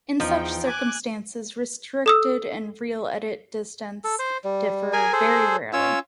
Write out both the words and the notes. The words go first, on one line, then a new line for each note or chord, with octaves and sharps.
In such circumstances, restricted and real edit distance differ very rarely.
E2 F3 D#4 G5
G#5 D6 F#6
A4 D#6 E6
A4
C5
G3
G#4 A#4 G#5
G#4 A4 C5
C#4 F4 C#5 E6